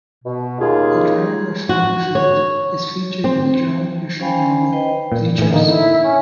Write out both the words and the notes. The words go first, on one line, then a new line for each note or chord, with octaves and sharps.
A drawing of Foreman Field is featured in the John Grisham novel "Bleachers".
B2
D#2 C#3 F4 G#4
F#4
C#5
C4
C#4 C5 F5 G5 G#5 B5
B4 C5 D#5 G5
A#2
A2 E3
D3 A#3 D#4
E4
C#4